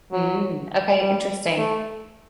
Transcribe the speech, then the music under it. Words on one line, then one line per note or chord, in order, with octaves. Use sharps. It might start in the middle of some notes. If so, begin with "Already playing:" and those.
Mm. Okay, interesting.
F#3
G3
A3